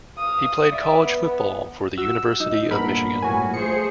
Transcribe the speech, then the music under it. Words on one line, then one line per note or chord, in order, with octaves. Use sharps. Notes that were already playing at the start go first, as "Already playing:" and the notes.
He played college football for the University of Michigan.
F5 D#6
D5 E5
B3
F#4 E6
D#4
A#1 G2 A#2 B3 A4 A#4 B5
A2 F#4 G#5
F3 A3 G#4 C5 C#7